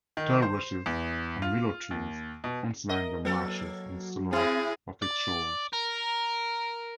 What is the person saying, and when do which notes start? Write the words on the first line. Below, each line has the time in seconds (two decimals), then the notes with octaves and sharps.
Tule rushes and willow trees once lined the marshes and sloughs of its shores.
0.17 D#3
0.42 C5
0.86 E2
1.42 F4
1.91 D#2
2.44 B2
2.89 A#4 D#5
3.25 F#3 A#3 A4
4.33 A2 C4 E4 G#4
5.02 D5
5.73 A#4